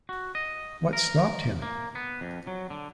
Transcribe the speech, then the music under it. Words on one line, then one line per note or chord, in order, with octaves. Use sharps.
What stopped him?
F#4
D#5
A#4
A#3
B3
F2
F#3
D3